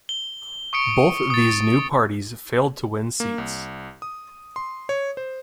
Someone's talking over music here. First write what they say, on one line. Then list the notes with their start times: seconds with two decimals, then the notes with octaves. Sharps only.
Both these new parties failed to win seats.
0.09 G7
0.73 C#6 D#6 C#7 D7
1.30 D#6 A6
3.20 A#3
3.38 C2
4.02 D#6
4.56 C6
4.89 C#5
5.17 C5